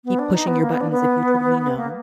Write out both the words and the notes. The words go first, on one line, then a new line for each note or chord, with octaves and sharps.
keep pushing your buttons if you told me "no."
B3
D4
D#4
B3
A#3
B3
D4
B3
A#3